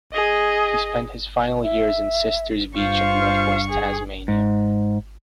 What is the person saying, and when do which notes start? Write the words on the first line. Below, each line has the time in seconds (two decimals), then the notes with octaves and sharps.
He spent his final years in Sisters Beach in north-west Tasmania.
0.13 G#4 D#5
1.63 E5
2.76 G2 F4 C5 F5 C#6
3.70 G#4
4.28 G#2